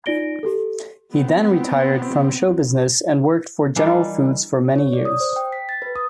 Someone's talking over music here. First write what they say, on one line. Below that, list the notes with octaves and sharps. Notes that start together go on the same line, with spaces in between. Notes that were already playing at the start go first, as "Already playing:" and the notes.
He then retired from show-business and worked for General Foods for many years.
D#4 F4 D5 A#6 D7 G7
G4 A4
B3 C4
E3 G3 A#3 D4 D#4
C#5
D5
D#6
C5
G5
B6
A6
B4
D#6